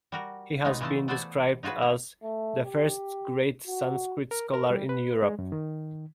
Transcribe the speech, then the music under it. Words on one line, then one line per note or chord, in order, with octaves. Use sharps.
He has been described as "the first great Sanskrit scholar in Europe".
G3 F#4 A#4
G#3 A3 B3 D#4
A#2 E3 G#3 A3 D#5 A5
A3 B3 A4 C5 D5 G#5
D#4 F4 F#4 G#4 B4
A#3
A3
G4
F#4
A#4
A#4
G3
B4
G#3
F#2
D#3